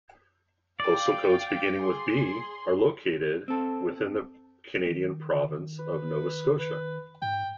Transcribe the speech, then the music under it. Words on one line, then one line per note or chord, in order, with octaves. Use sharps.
Postal codes beginning with B are located within the Canadian province of Nova Scotia.
D5 F5 G5
G#4 C6
C4 A4
D#3
B4
B4
G#2 G5